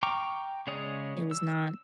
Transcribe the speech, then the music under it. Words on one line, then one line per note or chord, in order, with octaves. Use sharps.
it was not.
G5 A#5 C#6 D6 F6
C#3 G#3 C#5 D5 D#6
E6